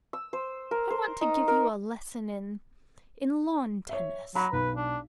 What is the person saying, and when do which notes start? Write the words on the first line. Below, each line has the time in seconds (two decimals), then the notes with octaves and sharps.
"I want to give you a lesson in--in lawn tennis."
0.13 E6
0.33 C5
0.71 A#4
0.90 C5
1.21 D#4
1.48 A#4
3.89 C#5 E5
4.35 F#3 A#5 B5
4.53 B1 B4
4.76 D4